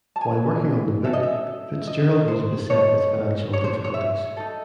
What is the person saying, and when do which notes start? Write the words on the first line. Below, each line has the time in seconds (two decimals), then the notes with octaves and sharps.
While working on the book, Fitzgerald was beset with financial difficulties.
0.16 A5
0.21 G#5
1.04 C#4 F#4 A4 E5
1.13 D#5
1.23 E5
1.87 D#5
2.28 C5
2.70 D#4 A4 C#5
3.53 C#5
3.64 C5
3.73 C#5
3.84 C#5
3.94 E5
4.37 D#4 A4